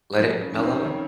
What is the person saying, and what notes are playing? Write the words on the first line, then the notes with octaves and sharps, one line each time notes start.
let it mellow,
F3 F#3
C#3
C#4 D#4
C4
D#3
C#3 F#3